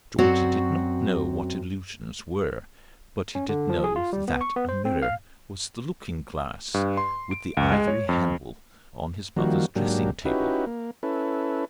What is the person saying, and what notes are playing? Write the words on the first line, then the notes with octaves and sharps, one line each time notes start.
Georgie did not know what illusions were, but he did know that a mirror was the looking-glass with the ivory handle on his mother's dressing-table.
F#2 C4 F#4 C#5 D5 F#5
C#4
D3
F3
G#4
F4
G3
B3
C#6
B3
C5
C4
F5
G2
C6
D7
C#2
G#3
C#5
F2
D#3 F3 G3 A#3 F#4
G#2 F#3 A#3 D4 G4
C#4 D#4 E4 F#4 G4 B4
A#3
C#4 E4 A4 B4